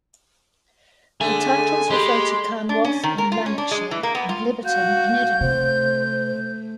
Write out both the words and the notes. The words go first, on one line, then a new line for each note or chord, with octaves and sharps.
The titles refer to Carnwath in Lanarkshire, and Liberton in Edinburgh.
D3 A3 G#4 G#5
G#3 G4 B5 C6
D4
C#4
D#3
A#4
F4
C#4
D4
G#3
E3
A#3
B3
F4
F#4 F5 G6
C3 A3 C5